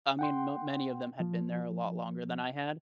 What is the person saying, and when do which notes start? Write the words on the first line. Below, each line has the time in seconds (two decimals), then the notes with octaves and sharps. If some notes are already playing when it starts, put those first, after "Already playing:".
I mean, not many of them had been there a lot longer than I had.
0.19 F#5 G5 C6
1.20 F3